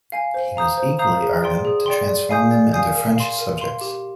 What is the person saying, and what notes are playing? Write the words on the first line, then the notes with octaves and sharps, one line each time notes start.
He was equally ardent to transform them into French subjects.
F5 G#5
C5
F5 A#5 D#6 G6
C5
F5 A#5 D#6 G6
G#4
D5 G5 C6
G#4
D5 G5 C6
D5
F5 G#5 D#6 G6
D5
F5 G#5 D#6 G6
A#4
F5 C6
A#4
F5 C6
G4